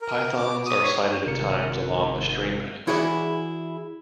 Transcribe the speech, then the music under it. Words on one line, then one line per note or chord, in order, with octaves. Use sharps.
Pythons are sighted at times along the stream banks.
A#4
D6
D#6
C#5
G#1 C3 A#4 C#7
E3 E4 F#4 G#4 A#4 D5